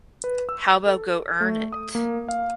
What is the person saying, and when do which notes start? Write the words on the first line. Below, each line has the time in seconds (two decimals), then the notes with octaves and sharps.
How about go earn it?
0.24 B4
0.49 E6
0.86 A4
1.41 A3
1.72 D#6
1.95 A#3
2.28 F5